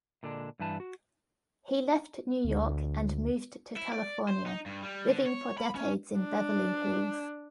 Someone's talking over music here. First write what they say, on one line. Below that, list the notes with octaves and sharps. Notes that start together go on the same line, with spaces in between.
He left New York and moved to California, living for decades in Beverly Hills.
A#2 D3 G#3 D4
G2 E3 B4 A5
F#4
D2
E4
D5
C5
D#4
G2
G3
D3
C#5
B5
C#4
D4